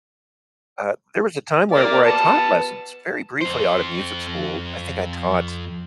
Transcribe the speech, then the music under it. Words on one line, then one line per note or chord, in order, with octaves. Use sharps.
Uh, there was a time where where I taught lessons very briefly out of music school, I think I taught,
A#3 D5
B3 A5
F2 C5